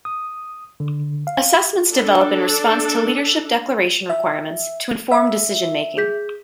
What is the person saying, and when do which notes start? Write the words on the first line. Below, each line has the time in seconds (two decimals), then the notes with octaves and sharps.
Assessments develop in response to leadership declaration requirements to inform decision making.
0.05 D#6
0.80 D3
1.27 F5
1.91 D4 A4
4.10 E5
5.12 E5
5.97 G#4 G6 B6